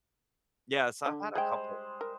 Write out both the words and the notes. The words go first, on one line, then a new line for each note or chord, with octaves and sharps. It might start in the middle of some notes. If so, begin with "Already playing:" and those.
Yeah, so I've had a couple.
D3
G3 G#3 G#4 C5 G5
A#4